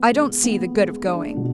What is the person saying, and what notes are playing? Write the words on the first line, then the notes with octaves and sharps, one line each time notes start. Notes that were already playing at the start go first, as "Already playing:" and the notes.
I don't see the good of going.
Already playing: B3
G#3
B3
G#3
D4
B2